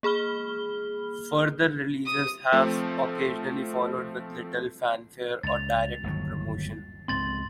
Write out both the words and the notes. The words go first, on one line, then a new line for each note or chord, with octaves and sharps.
Further releases have occasionally followed, with little fanfare or direct promotion.
A#3 G#4 B5 F6 G7
D#6
F3 A3 C4
C#2 A6 F7
G1 D#2 F#3
C#2 G#2 C4 C6 A6 F#7